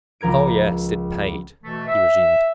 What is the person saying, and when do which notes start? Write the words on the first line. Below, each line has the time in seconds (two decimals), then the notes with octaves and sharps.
"Oh yes, it paid," he resumed.
0.21 C#2 F3 A#4 G#6 D7
1.63 B2 E3 A3
1.87 E5